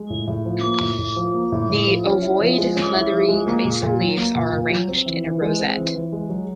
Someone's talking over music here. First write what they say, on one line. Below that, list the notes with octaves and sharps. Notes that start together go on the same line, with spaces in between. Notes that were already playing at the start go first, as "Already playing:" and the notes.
The ovoid, leathery basal leaves are arranged in a rosette.
Already playing: G#3
A2
A2
F3
A#3
A2
A2
F3
A#3
A2
A2
F3
C#4
E4
F3
G#3
C#4
E4
F3
G#3
A#3
A#2
A#2
F#3
A#3
A#2
A#2
F#3
C4
E3
E3
G#3
C4
E3
E3
G#3
F#3